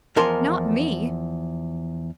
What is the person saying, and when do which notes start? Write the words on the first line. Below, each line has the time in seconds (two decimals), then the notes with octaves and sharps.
Not me!
0.16 E2 F3 A#4 A5 C6